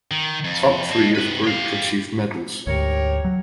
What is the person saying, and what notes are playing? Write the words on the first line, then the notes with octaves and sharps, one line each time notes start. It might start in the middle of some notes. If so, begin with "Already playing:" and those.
The top three of group received medals.
D#3
F2
D#5 A5
C3 B4
G4 F5
D2 G#2 G4 A#4 C#5
F#3